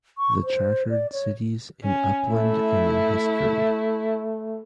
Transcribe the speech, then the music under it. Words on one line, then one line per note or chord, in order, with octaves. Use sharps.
The chartered Cities in Uppland and their history.
C#6
C5
D5
C#5
C#4
A3 E4